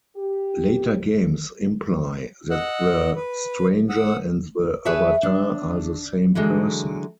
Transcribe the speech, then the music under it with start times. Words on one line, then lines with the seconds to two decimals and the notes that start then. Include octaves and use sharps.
Later games imply that the Stranger and the Avatar are the same person.
0.16 G4
2.51 D#5 F#5 E6 F#6
3.16 B4
3.89 F#5 D#6 E6
4.85 G#4 B4 C#5 E5 A5
5.23 D4
6.35 D3 E3 F#3 G#3